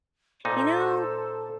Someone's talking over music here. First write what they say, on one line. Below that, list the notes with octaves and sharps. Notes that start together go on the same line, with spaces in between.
"You know,
A#2 D#4 A4 C5